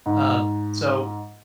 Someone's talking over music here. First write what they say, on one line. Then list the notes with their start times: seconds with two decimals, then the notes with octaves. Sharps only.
Uh, so,
0.06 G#2